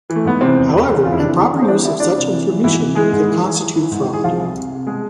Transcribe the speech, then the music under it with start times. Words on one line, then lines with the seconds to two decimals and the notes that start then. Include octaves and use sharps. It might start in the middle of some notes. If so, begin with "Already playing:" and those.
However, improper use of such information could constitute fraud.
0.10 E3
0.15 A3
0.25 G#2 B3
0.41 C3 E3 C4
0.57 E2
0.72 E2
0.89 E2
1.05 F2 F4
1.13 E4
1.20 F2 D4
1.28 E3 E4
1.37 D3
1.53 D3
1.62 C5
1.68 E3 D4 D5
1.84 E3 E4 E5
2.00 E3 D4 D5
2.16 C3
2.32 E3
2.48 E3
2.64 G#2 E3 E4
2.80 E3
2.95 E3 G#3 G#4
3.13 G#2
3.27 E3
3.44 E3
3.60 E3
3.75 E3
3.91 G#2
4.08 E3
4.14 G#4
4.23 C2 F3 F4
4.39 C2
4.56 C3
4.72 C3
4.87 B2 G#3 G#4